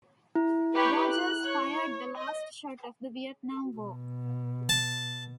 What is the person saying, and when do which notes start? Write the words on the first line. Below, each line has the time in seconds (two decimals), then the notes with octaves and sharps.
"Rogers" fired the last shot of the Vietnam War.
0.35 E4
0.74 G4 B4 C#5
1.08 F#6
1.45 C#5
2.15 D#5
3.77 B2
4.69 A5